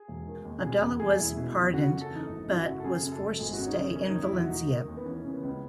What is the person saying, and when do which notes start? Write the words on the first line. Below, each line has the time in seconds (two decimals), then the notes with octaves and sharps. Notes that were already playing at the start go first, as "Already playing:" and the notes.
Abdallah was pardoned, but was forced to stay in Valencia.
Already playing: G#4
0.08 E1
0.26 D#3
0.45 D#2
0.63 B2 G#4
0.82 E2
1.00 E1 G#4
1.18 E1 E4
1.36 B2
1.56 E2
1.74 C#3 F#4
1.93 F#2
2.01 A4
2.11 E3 D#4
2.29 G#1
2.48 C#3 E4
2.57 F#4
2.66 F#2
2.80 A4
2.84 C#3 G#4
3.02 F#2
3.12 A4
3.21 G#1
3.30 A4
3.40 G#1 G#4
3.53 F#4
3.59 C#3 C#4
3.67 D#4
3.77 F#2 C#4
3.95 D#3 C#4
4.10 D#2 D#4
4.22 E4
4.32 E1
4.37 F#4
4.50 E1 D#4
4.69 D#3
4.88 D#2
4.97 B3
5.06 E3 C#4
5.25 C#3
5.33 B3
5.43 C#2